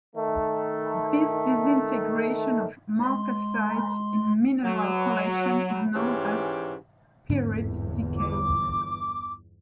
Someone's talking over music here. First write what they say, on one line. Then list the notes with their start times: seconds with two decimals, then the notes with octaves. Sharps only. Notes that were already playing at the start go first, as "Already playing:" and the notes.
This disintegration of marcasite in mineral collections is known as "pyrite decay".
0.16 D#3 A3
3.03 G#3 C6
4.64 F#3
5.95 G#2 E3 C#4 G4
7.29 G1 E2 G#2 D3 C4
8.17 D6